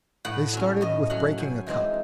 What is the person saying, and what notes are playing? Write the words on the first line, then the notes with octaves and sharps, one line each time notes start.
They started with breaking a cup.
A2 F#5
F#3 C#4
A2 D#5
F#3 C#4 F#5
F#2 G#5
E3 G#3 C4 D#4